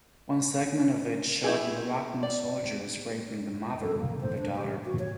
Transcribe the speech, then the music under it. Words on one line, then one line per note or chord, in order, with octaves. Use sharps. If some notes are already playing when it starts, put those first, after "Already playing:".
One segment of it showed Moroccan soldiers raping the mother and the daughter.
E4 G4 G#4
D5
A4
A#3
C5
D4
G4
F#4
C#5